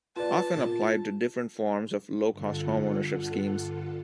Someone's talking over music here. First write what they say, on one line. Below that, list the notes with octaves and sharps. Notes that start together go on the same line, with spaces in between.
Often applied to different forms of Low Cost Home Ownership schemes.
F4 B4 D5 A5
A#2 F4
G2 D3 F4 A4 F#5